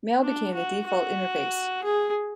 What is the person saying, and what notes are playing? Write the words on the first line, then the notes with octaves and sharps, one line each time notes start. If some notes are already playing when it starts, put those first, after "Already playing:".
Mail became the default interface.
D4
F#4
F#4
G#4